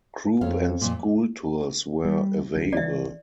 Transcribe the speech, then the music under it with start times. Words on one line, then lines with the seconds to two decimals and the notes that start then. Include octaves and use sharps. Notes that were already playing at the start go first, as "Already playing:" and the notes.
Group and school tours were available.
0.41 F2 C#5 F5
0.81 F2 A#2
2.05 G3
2.55 D2 F#3
2.73 E3 D5 E5